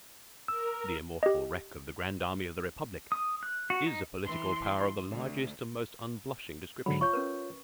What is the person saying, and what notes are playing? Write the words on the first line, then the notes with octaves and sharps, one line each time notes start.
The immortal wreck of the Grand Army of the Republic is a political power of the largest and most unblushing description.
A#4 E6
G4 D#5
D#6
F#6
F#4
D#4
E3 C6
D2
G#2 D3 F#3 B5
F4 C#5 C#6 G6
C#4 A#4 B4